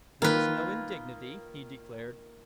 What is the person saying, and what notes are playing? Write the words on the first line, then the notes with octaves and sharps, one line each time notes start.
"There is no indignity," he declared.
D#3 A#3 F4 B4